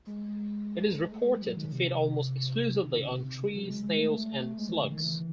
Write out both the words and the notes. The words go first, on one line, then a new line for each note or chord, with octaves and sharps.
It is reported to feed almost exclusively on tree snails and slugs.
G#3
G#3
A3
G#3
F#3
D#3
C3
C#3
D#3
C#3
C3
C3
C3
C#3
F#3
G#3
G#3
A3
G#3
E3
C#3
D#3
E3